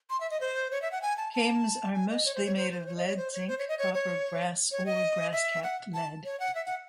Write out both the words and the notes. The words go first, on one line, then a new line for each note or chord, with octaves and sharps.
Cames are mostly made of lead, zinc, copper, brass or brass-capped lead.
C6
E5
D#5
C5
C#5
E5
F#5
G#5
A5
A5
G#5
D#5
C#5
C5
C#5
C5
C5
C#5
D#5
C#5
C5
C#5
C5
C#5
D#5
C#5
C#5
C#5
D#5
E5
F#5
A5
C#5
F#5
E5
F#5